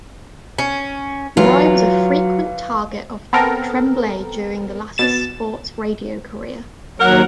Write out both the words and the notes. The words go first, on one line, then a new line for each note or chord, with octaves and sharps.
Roy was a frequent target of Tremblay during the latter's sports radio career.
C#4
E3 F#3 F4
B3 C4 A4 A#4
B2 A6 E7
D#2 F#3 A#4 F#5